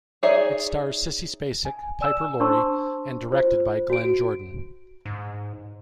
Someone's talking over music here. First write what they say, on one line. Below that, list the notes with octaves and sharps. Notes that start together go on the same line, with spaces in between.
It stars Sissy Spacek, Piper Laurie and directed by Glenn Jordan.
D#4 G#4 C#5 D5 E5
G#5
D5 G#5 E6 E7
D4 C5 A5 C6 C#6 E6
F4 C5
F#4 D7
G#2